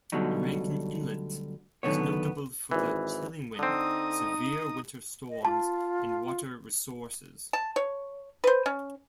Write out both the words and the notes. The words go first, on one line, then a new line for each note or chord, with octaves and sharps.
Rankin Inlet is notable for the chilling wind, severe winter storms, and water resources.
D2 B2 D3 F#3 G3 D#4
F#2 D3 D#3 B3 C#5
G#1 E3
D3 C4 D#4 D#6
D#5
F4 A5
A5
C#5
B4 C5
C#4